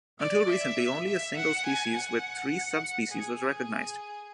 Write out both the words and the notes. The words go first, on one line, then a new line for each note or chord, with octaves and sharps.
Until recently only a single species with three subspecies was recognized.
D5
E5
E5
F#5
G#5
F#5
G#4
G#4